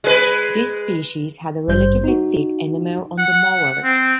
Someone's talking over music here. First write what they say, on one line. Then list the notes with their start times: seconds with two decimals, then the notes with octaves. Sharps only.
This species had a relatively thick enamel on the molars.
0.04 G#3 B4
1.68 G#1 G2 G3 C5 G6
2.04 D#4 F#4
3.18 F#5
3.84 C4